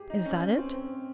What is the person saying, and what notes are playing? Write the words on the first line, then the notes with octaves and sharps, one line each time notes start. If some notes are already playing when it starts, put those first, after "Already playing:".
Is that it?
Already playing: G4 G#4
D#4
C#4
C4
C4